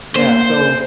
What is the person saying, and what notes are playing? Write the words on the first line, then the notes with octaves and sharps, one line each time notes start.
Yeah, so
A#3 C5